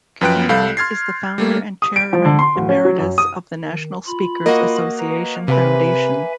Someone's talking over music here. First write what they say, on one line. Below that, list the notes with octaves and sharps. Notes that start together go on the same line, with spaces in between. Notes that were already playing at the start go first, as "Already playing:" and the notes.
Qubein is the Founder and Chairman Emeritus of the National Speakers Association Foundation.
F#2 F3 B4 G5 F#6 D7
C2 A4 F5 B5 G6
C6 F6 G#6 A6 C7
G3 A3 A#3
D#6
D7
F3
D3
C6
D1
C#4
F#3
F#2
D#6
D#3
F4 B5
A#3 F#4 D#5
B4 A#5
C3 B4 E5 G#5